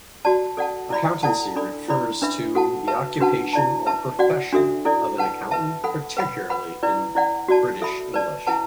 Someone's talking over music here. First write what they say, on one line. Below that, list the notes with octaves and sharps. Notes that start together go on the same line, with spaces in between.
Accountancy refers to the occupation or profession of an accountant, particularly in British English.
F#4 D5 A5
A4 D5 F#5 A5
E4 D5 B5
E4 A4 D5 F#5 A5
D4 A4 D5 B5
E4 D5 B5
D4 B4 E5 B5
F#4 A4 F#5 A5
B4 E5 A5
D4 F#4 B4 F#5 A5
E4 D5 A5
B4 E5 A5
F#4 D5 F#5
D4 F#4 A4 E5
E4 A4 D5
B4 F#5 A5
B4 E5 A5
A4 F#5 B5
B4 F#5 B5
B4 F#5 B5
E4 B4 D5
E4 D5 F#5
F#4 D5 A5
A4 E5 B5
B4 D5 A5
E4 B4 F#5 A5